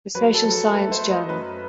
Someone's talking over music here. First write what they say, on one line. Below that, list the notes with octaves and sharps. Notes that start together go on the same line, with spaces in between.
The Social Science Journal.
F#3 B4
A4
F#3
A4
A3 B4
C5
A3
D#5
F#2 B4